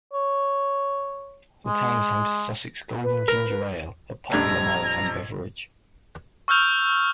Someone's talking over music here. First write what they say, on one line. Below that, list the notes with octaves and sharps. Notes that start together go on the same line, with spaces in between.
The town is home to Sussex Golden Ginger Ale, a popular maritime beverage.
C#5
G#3
B4
A#4
A#1 F2 G3 A3 C#4 D4 A#5 G#6
C#6 E6 F6 G6 F7